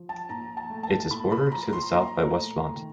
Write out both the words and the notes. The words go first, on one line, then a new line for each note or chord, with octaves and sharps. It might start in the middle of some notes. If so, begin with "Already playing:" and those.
It is bordered to the south by Westmont.
Already playing: F3
A5
A#2 A#5
A5
A3
A5
A#2 B5
B5
F3 A#5
C6
A#2 A#5
A3
D#3